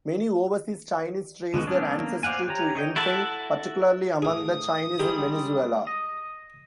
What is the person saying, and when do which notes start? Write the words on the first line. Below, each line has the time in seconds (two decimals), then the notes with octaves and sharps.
Many overseas Chinese trace their ancestry to Enping, particularly among the Chinese in Venezuela.
1.54 D3 G#3 B3 F#4
1.67 F#3 B3 C#4 D4
1.99 A#3
2.23 C5 D5 F5 F#5 G#5
2.48 G4 C#5 A#5
2.75 C#5 D#5 G5
2.96 E4 F#4 A4 A5
4.22 A2 G#4 F5 D#6
5.00 D#3 G3 G#3 D#4 G4 G#4
5.87 D#5